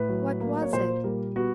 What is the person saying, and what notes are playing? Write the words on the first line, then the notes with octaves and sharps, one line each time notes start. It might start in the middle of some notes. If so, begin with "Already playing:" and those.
What was it?
Already playing: A2 B4
F#3
A#3
C#5
A#2 C5
G3 A#4
B3 F#4